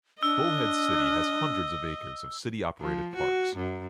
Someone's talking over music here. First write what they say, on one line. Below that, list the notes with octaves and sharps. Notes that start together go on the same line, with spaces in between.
Bullhead City has hundreds of acres of city-operated parks.
D4 D#5 E6
F3
F#4
F#2